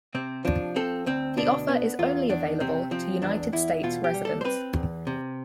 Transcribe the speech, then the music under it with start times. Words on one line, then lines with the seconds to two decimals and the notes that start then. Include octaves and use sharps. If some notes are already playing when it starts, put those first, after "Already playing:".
The offer is only available to United States residents.
0.15 C3 C4
0.45 F3 D4
0.76 C4 A4
1.06 D2 C4
1.37 B2 D4
1.68 B3
1.99 E2 F4
2.29 E2 D4
2.60 C3 C4
2.91 F3 C4
3.22 E2 D4
3.53 E2 E4
3.83 B2 F4
4.04 G4
4.14 G3
4.25 A4
4.41 C5
4.45 C4 B4
4.76 E2
5.07 C3